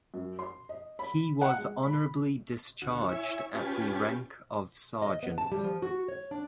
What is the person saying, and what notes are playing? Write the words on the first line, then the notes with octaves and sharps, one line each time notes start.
He was honorably discharged at the rank of Sergeant.
F#2
C6
D#5
B5
F#5
G#3
B5
D2 F#4
E4 C#5 E5 G#5
C#4 F4 G4 B4 G#5 A5
D#5
B3
A5
G3
F3
F#4
C#5
D4